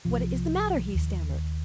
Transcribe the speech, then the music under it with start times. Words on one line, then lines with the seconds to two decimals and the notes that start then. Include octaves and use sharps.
"What is the matter?" he stammered.
0.05 C2 C3 F3
0.95 D#2